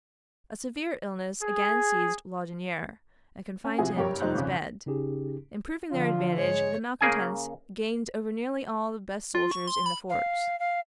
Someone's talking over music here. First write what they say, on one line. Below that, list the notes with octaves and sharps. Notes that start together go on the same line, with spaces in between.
A severe illness again seized Laudonniere, and confined him to his bed. Improving their advantage, the malcontents gained over nearly all the best soldiers in the fort.
G#4
C#4
C3 F3 E4 F#4 G#4
F#1 G2 G4 A#4 C#5
F1 G3 D#4 C5 F#6 G6
G#1 F2 C#3
C#3 C#4 D#4 G4 G#4
D3 F3 F4
G#2 G#3 C#5
C#3 A#3 G#4 G#5
F4
C#6
C6
B5
F5
F5